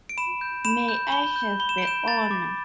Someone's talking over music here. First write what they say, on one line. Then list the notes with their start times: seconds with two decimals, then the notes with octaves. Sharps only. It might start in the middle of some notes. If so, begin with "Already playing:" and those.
May I have the honor?
0.09 D7
0.17 B5 E7
0.41 G6
0.65 B5 E7
0.89 G6
1.12 B5 G7
1.36 G6
1.60 B5 G7
1.69 E7
1.78 D7
1.84 G6 E7
2.07 B5 A6
2.31 D6